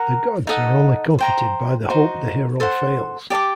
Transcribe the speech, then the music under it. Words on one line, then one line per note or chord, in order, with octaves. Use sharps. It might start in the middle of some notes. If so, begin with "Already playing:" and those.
The gods are only comforted by the hope the hero fails.
Already playing: A#4 F#5 A#5
D#4 A4 D#5 F#5
C5 G5 A#5
D#4 F#4 C5
A4 C5 F#5
G4 D5 A5 D6